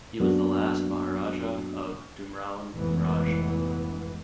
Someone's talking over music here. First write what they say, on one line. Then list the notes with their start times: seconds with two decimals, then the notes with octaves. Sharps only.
He was the last Maharaja of Dumraon Raj.
0.20 F#2 F#3 A#3 B3 D4 F#4
2.74 F1 G#2 E3 B3